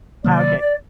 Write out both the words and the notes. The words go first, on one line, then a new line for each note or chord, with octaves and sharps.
Oh, okay.
C3 D#3 F#3 A#3 D5